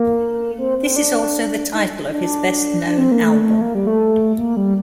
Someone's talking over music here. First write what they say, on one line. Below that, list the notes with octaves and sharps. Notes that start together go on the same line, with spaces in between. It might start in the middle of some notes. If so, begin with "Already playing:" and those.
This is also the title of his best-known album.
Already playing: A#3
C4
C4
D4
D#4
D4
D4
C4
A#3
A3
A3
A#3
G3
A3
A#3
G3